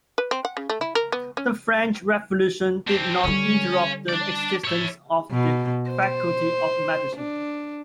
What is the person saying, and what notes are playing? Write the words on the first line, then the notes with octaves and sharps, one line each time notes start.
The French Revolution did not interrupt the existence of the faculty of medicine.
B4
C4
F#5
C#3
A3
E4
A#4
B3
C#4
C4 D4
D3 G3 C#4
D4 D5
C#5 E5
B2
C5
D4